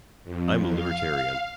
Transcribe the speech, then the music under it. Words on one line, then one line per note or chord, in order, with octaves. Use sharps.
I'm a libertarian.
F2
F5